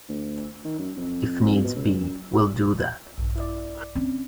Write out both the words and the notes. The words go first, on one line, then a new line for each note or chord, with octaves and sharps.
If needs be, we'll do that.
D2
D#3
F#2
F2
B2
C#2
F#2
A#1 G2
E4 D5
C4 C#4